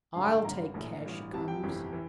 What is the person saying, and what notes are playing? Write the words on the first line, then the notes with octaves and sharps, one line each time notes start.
I'll take care she comes.'
A1 G2 D3 F5
G5
A5
G1 G2 D3 A#5
A#1 A2 E3
A1 G2 E3
C2 C3 E3 A5
G5
G1 F2 C3 E3
E3